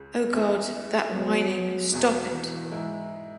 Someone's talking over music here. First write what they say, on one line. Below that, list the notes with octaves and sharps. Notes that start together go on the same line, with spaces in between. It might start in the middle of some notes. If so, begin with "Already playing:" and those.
Oh, God, that whining. Stop it!
Already playing: C#2 C#3
E2 E3 B3 C#4 E4
C#2 B2 F#3 B3
E1 E2 B2
E3
G#2 G#3 E4